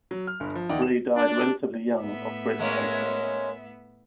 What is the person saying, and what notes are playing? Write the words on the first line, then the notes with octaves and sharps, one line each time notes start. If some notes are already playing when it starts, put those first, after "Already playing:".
Ray died relatively young of breast cancer.
F#3
F6
G1 G2
F3
D#2 D#4 E4 D5 F#5 G5
E7
D4
A2 B3 E5
G#3 A#3 C#4